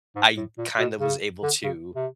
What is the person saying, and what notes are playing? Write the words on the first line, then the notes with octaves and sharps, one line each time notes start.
I kinda was able to
G#2
A2
A#2
B2
C#3
D3
C#3
C3